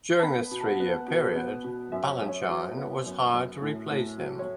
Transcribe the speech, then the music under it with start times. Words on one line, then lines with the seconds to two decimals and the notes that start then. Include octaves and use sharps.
During this three-year period, Balanchine was hired to replace him.
0.19 A5
0.22 B3 B5
0.51 B2
0.61 A5
0.66 F#5
0.80 B3
1.08 B2
1.36 B3
1.64 B2
1.92 F#2 E5
2.05 C#5
2.21 F#2
2.29 C#5
2.49 F#3
2.77 B3
3.06 F#2
3.33 F#2
3.62 A2
3.90 A2
4.18 F#3
4.39 C#5